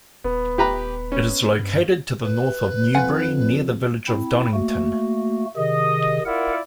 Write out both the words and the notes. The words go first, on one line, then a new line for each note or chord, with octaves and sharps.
It is located to the north of Newbury, near the village of Donnington.
D#1 B3
G4 B4 A#5
C#4
G2
B4
F2 F4 F#5 G#5
C4 E4
A3 A#3 F#4
C3 D#3 G#4 D#5
E4 F4 A#4 D5 F#5